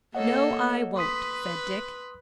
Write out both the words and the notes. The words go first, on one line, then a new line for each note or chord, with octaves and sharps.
"No, I won't," said Dick.
A#3 A4 C#5 D#5 F#5
B4 C6 D#6 B6